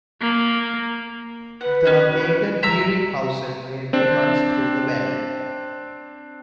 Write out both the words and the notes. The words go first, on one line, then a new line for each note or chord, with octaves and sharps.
The Hagen-Dieringhausen railway runs through the valley.
A#3
B4 F#5
C#4 F#4
E5 A#5 E6
C4 D4